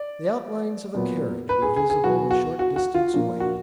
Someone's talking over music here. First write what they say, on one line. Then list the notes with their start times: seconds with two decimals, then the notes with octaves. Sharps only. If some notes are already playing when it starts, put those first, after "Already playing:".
The outlines of a carriage were visible a short distance away.
Already playing: D5
0.95 A#2 F#3 B3
1.49 B4
1.62 G#4
1.76 G#4
1.90 G#4
2.04 B2 F#3 B3 F#4
2.31 F#4
2.59 F#4
2.76 F#4
2.94 F4
3.14 A#2 F3 A#3
3.40 F#4